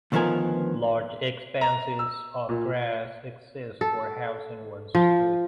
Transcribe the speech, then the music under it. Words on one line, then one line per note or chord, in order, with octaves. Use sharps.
Large expanses of grass exist where housing once stood.
D2 D#3 F3 B3 A#4 G#5
A#5
E6
A#2
A4
F3